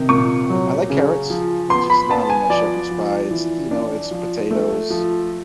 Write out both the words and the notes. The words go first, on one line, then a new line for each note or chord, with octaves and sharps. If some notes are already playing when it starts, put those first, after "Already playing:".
Um, I like carrots, but just not in my shepherd's pie, it's, you know, it's potatoes
Already playing: C3 D#3
A#2 C#6
F#3
C#3
F3
B3 C6
B5
B3 A5
G#5
F3 D5
F3
E3
D4
F3
A3
F3